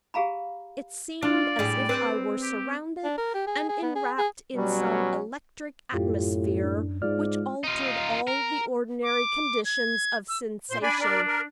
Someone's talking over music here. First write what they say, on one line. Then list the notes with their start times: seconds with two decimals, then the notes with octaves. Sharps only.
It seemed as if I were surrounded and enwrapped in some electric atmosphere which altered all the ordinary conditions of sensation.
0.14 G4 G#4 F5 A#5 B5
1.22 D4 F4 D5
1.59 A2 G3 G#4
1.89 C4 B4 C5
2.42 G4
3.04 D4
3.17 A#4
3.34 G4
3.47 G#4
3.69 G#4
3.82 B3
3.95 G#4
4.18 G#4
4.55 B2 F#3 G3 C#4
5.93 F#2 A2 F4 G4
6.63 D4
7.02 G#2 G#3 F4 D5 F6
7.64 D#4 F4
8.28 A#4
9.03 D6
9.65 G#6
10.29 E6
10.71 A#2 C5 C6
10.83 D4 D5 G#5 B5
11.01 D4 A#4 D5
11.27 A#4